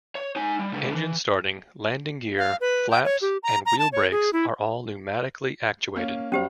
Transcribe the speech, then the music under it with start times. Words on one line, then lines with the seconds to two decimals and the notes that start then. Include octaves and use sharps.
Engine starting, landing gear, flaps, and wheel brakes are all pneumatically actuated.
0.15 C#5
0.36 D#4 G#5
0.59 G3
0.73 C#2 D3
0.94 E3
2.38 F5
2.61 B4
2.90 G5
3.05 C#5
3.22 G4
3.43 A#5
3.66 A#5
3.79 A5
3.92 C#5
4.12 G#4
4.33 E4
5.96 A#3 C#4
6.32 F#2 G3 C#4 G4 C5 F5